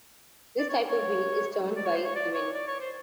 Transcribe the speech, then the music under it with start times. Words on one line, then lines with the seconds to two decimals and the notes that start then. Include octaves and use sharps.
This type of wheel is turned by wind.
0.59 D5
0.69 C#5
0.89 C#5
1.76 D5
1.86 C#5
1.96 C5
2.06 C#5
2.15 D5
2.35 C#5
2.55 D5
2.68 C#5
2.80 C5